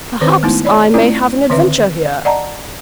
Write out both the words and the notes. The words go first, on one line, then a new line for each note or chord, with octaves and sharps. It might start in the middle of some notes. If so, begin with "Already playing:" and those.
Perhaps I may have an adventure here.
D#3 C4 B4 C5
G#3 A3 B3 D#4 E4
C#5 D5 B5
A3 C4 C#4 E4 F4 D5
D3 D#3 C4 B4 E5
D5 D#5 F#5 A5 A#5